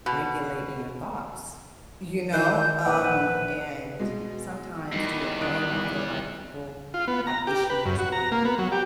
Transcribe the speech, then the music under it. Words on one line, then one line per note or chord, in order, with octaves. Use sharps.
regulating your thoughts. You know? Um, and sometimes, to your point, I feel like people have issues with
B2
D#3 G6
A#1 B4 D5 F#5
B2 G#3
E2 D#3 G3 F4
D#6 F#6 D7
F4
B3
A#5
G4
B4
F#2
F#4
A#5
A#3
B3
F#3
G4